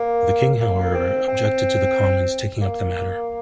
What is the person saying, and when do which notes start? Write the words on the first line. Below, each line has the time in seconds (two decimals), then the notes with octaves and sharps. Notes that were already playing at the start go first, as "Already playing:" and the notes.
The king, however, objected to the Commons taking up the matter.
Already playing: A#3
0.61 A#3
0.94 C4
1.28 C4
2.62 A#3